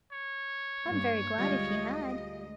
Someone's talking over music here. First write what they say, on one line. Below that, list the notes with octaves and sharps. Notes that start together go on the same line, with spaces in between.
I am very glad if you had.'
C#5
G2 A#3
D2 G3 G#3 F4 G4 D#5